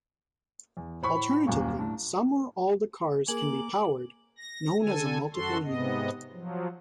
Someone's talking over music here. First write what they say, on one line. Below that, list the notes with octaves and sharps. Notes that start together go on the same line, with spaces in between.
Alternatively, some or all the cars can be powered, known as a multiple unit.
E2
A2 C5 B5 C#6
D#1 F#2 A#3 C#6
A2 D4
A#3 G#4 A#4 G#5 D6 F#7
A#6
D3 A4 G#5
F#2 F#4 A4 C6
G#2 C3 B3 D#5
F3 F#3